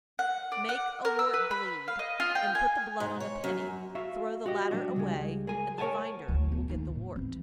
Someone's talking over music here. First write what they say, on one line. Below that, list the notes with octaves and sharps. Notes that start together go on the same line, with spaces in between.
Make a wart bleed, and put the blood on a penny, throw the latter away, and the finder will get the wart.
F#5
D5
F#5
A#4
E6
B4
B5
F5
D#5
F4
G5
G#5
G#2
C#5
F#2
F#4 E5 F5
F#4 G4 D#5
G3 D4 F#4
C#2 G3 G#3
G#4 A#4 G#5
A#4 C#5 E5 F#5 G#5 A5
D2 E4
E2
D#2
A2
E3 C4